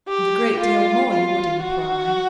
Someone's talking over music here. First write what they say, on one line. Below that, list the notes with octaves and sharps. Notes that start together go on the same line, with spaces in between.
'And a great deal more, you would imply.
G4
F4
F4
F#4